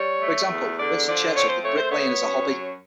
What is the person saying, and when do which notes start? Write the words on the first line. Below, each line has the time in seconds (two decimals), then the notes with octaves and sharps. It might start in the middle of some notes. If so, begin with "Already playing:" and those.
For example, Winston Churchill did bricklaying as a hobby.
Already playing: G3 C#5
0.22 A3
0.51 E2
0.79 D3 D5
1.07 F3 D5
1.36 C4 C#5
1.49 C5
1.63 A3 C#5
1.78 C5
1.92 B3 C#5
2.20 F#2
2.48 F#3